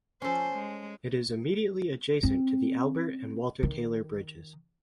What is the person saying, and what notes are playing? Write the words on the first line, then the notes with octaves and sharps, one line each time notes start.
It is immediately adjacent to the Albert and Walter Taylor Bridges.
F3 C#4 A4 C5
G#3
C4 C#4
D#3